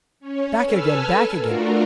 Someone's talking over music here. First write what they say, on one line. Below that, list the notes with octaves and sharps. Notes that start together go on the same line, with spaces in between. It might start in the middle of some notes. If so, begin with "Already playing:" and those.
'Back again! back again!
C#4 C#5
A4 B4 G#5 A5 E6 F6
A3 D4 F4 F#4 A#4